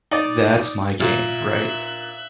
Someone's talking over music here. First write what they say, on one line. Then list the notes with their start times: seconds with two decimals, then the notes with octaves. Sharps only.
that's my game, right?
0.11 D#4 D5
1.00 A#2 E5 F#6